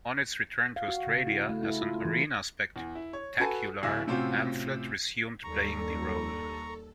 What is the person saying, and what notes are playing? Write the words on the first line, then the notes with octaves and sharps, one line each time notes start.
On its return to Australia as an arena spectacular, Amphlett resumed playing the role.
F5
F#4
C#3
E4
A3
E4
F4
E3
E2
E4
C#5
F#4 A4 B4 G#5 A5
D1 E4 F5 G#5 E6 A#6
A2 C3 C4 C#4 F4 F#4
D#2 G3 A4 A#5 C#6